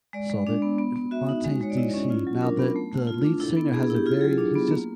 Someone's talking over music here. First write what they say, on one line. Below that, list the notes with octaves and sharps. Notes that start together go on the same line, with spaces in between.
so they're F Fontaines DC. Now, the the lead singer has a very he's just
G#3 D5
G#3
D4
B3
B3
B3
F#4 E5
D#4
G#3
G#3 C#5
D5
E4 D#5
C#4
F4
F#3
D4 A#4
B3
A3
A3
F4
D4
E4 A4
B3
B3 G#4
G#4
E4 G4
F4 G#4
A4
F#3 G#4
D4
B3
A#3